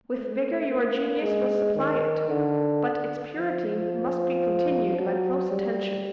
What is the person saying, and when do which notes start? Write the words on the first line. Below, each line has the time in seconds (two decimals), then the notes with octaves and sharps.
With vigour your genius will supply it; but its purity must be continued by close attention.
0.14 A3
0.67 A#3
1.21 G#3
1.75 D#3
2.29 D3
3.36 F3
4.97 F#3
5.51 G3